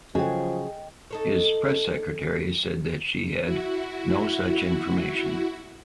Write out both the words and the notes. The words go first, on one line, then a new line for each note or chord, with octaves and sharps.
His press secretary said that she had "no such information".
C#3 F3 F#3 G#4 D#5 G5
D#4 A4 C#5
E4 F#4